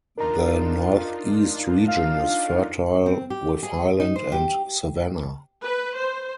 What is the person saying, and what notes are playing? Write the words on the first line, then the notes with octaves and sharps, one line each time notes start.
The northeast region is fertile with highland and savannah.
D4 D#4 F4 A#4 A#5
F5
C4
G4
G#4
D#4
C5
G4
B4
C5